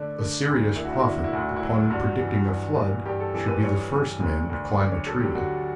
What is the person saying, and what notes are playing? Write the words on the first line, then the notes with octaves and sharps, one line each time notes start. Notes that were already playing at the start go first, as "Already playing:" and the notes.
A serious prophet upon predicting a flood should be the first man to climb a tree.
Already playing: D3 A3 D4
D3
D2
D3 E4
F#4
E4
F#4
D3 E4
F#4
E4
D2 F#4
E4
F#4
E4
F#3
G2 F#4
E3
G2
E3
G2 G4
A4
E3 A4
B4
G2 C#5
E3
D2
D2
D3 D5
C#5
F#3 A4
G4
D3 F#4